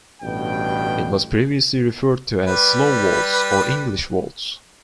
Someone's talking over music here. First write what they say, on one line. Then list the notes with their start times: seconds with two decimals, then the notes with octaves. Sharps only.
It was previously referred to as Slow Waltz or English Waltz.
0.21 A1 G2 B2 G5
2.47 G3 B4